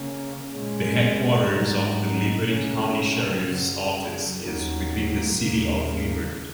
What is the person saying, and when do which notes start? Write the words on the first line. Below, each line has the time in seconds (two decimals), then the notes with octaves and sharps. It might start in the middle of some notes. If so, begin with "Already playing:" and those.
The headquarters of the Liberty County Sheriff's Office is within the city of Liberty.
Already playing: C#3 A#3 C#4
0.51 A#2 G#3 C#4
1.48 G#2 F#3 D#4
2.45 C#3 A#3 C#4
3.43 F#2 C#3 F#3
4.41 D#2 D#3 F#3 A#3
5.39 D#2 C#3 A#3